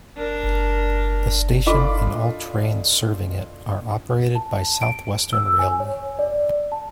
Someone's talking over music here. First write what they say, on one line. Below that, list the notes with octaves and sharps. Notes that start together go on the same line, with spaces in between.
The station and all trains serving it are operated by South Western Railway.
D4 A#4
D4 F4 A4 D#5 B5 D6
A5
D7
E6
G#5
C#5
D5
A5